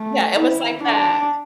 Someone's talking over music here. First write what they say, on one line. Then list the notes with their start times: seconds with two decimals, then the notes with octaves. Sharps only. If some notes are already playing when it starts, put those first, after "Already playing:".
Yeah, it was like that.
Already playing: A3
0.37 E4
0.83 D4